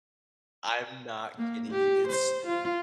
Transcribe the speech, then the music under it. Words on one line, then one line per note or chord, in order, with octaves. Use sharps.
I'm not kidding you, it's
A#3
G4
C5
F4